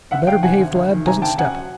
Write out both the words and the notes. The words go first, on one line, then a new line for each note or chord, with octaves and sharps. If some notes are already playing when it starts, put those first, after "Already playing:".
A better-behaved lad doesn't step.
D2 E5 F#5
D#3 F5 G5
C3 F#5 G#5
D2
D2
D#3
C3 G#5 A#5
D2 G5 A5
F#2 F#5 G#5
F#3